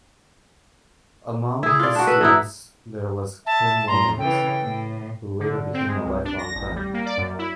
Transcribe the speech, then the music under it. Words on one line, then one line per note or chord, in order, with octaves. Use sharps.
Among his students there was Kim Williams who later became a lifelong friend.
E4 G#4
F4 D5
D4 F#4
B4 E5
E3 D#4 E4
E5 A5
A2 A#5 C6
C#3 E3 A4 G5
A2
D3
C4
G#3
C2
D4
A#6
A1
G3
A#3
D5
F#2
E4